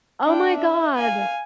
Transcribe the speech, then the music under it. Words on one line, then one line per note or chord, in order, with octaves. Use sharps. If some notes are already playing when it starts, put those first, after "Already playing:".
Oh, my god. E
D4 G5
E5
F5 G#5